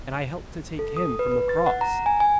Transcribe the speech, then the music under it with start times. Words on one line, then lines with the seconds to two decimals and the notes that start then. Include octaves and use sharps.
And I helped to take Him from the cross.
0.79 A4
0.97 D#6
1.19 B4
1.32 B4
1.49 A6
1.66 F#5
1.81 A#5
2.06 G#5
2.20 G#5